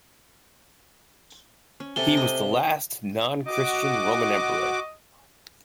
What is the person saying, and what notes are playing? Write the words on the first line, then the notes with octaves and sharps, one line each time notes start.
He was the last non-Christian Roman emperor.
C#4
C3 A4 G#5 G7
D#5
F#4 D#5 D6